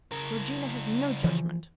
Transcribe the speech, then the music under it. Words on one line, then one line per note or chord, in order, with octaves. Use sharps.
Georgina has no judgment.
C#3 A#4
E3 F3